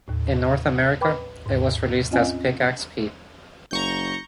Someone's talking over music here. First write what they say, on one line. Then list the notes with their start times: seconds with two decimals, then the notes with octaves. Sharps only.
In North America, it was released as Pick Axe Pete!
0.08 D#2 A2
1.01 B4 G5 B5 D6
1.46 D#2 G#2
2.11 C4 C#4 F4 D#5 G#5
3.71 F#1 A#5 C#6 G6